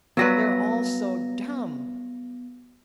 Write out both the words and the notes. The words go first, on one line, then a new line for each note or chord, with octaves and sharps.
They're all so dumb.
F#3 G3 B3 B4 A#6